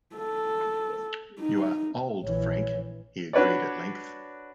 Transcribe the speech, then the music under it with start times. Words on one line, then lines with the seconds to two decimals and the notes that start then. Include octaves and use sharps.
"You are old, Frank," he agreed at length.
0.16 A4
1.40 D#4
2.23 A#1 E3 C#5
3.33 D4 F#4 B4 C#5 D5